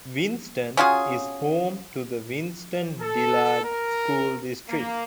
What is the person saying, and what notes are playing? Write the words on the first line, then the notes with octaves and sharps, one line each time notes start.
Winston is home to the Winston-Dillard School District.
C#4 F4 F#4 G#4
A4
A#4
A#3